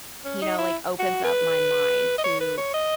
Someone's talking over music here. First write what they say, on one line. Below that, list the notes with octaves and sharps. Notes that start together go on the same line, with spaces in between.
you know, like, opens up my mind to
C#4
D#4
E4
F#4
B4
D#5
C#5
B4
C#5
D#5